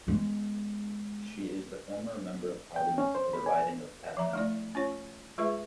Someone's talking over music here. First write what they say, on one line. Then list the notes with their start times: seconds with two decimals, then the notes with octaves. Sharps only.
She is the former Member of Parliament for the riding of Papineau.
0.07 G#3 B3
2.76 G5
2.98 C#4
3.15 C5
3.33 B5
3.46 G#5
4.17 F3 E5 A#5
4.33 A3 E4 D5
4.75 C#4 F4 C#5
5.38 G#3 F4 G#4 B4 E5